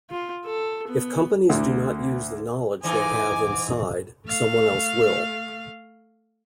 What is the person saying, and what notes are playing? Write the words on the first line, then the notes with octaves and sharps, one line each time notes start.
If companies do not use the knowledge they have inside, someone else will.
F4
A4
B3
D2 D3
G#2 E3 D#4 G#5 D6
A3 F5